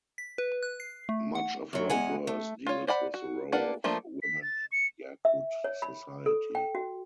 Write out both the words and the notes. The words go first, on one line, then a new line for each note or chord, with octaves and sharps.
Much of her verse deals with the role of women in Yakut society.
B6
B4
F#6
C7
A3
F#5
F#2 F#3
E2 G#3 F#5 G#5
A3
F4 C#5
C5 D5 F#5 B5
F#4
A#3 D4 B4 D5 F#5
F3 A3 A#3 D4
B6
A6
C#7
E5
C#5
B5
A4
G5
F#4